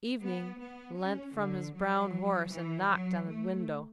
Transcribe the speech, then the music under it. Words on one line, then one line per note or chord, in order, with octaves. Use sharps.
Evening leant from his brown horse and knocked on the window.
B3
B3
C#4
D3
F#3
E3
F#3
A3